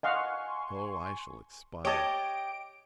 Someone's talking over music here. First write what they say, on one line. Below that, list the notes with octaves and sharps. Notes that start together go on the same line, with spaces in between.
O, I shall expire!
D#5 F5 F#5 G#5 C6 C#6
G4 C#5 D#5 A5 D7